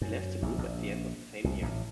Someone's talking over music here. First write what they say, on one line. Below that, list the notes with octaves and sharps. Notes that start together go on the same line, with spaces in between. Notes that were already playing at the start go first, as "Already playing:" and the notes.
He left the group at the end of the same year.
F#2
A#1
A#1
C2
A1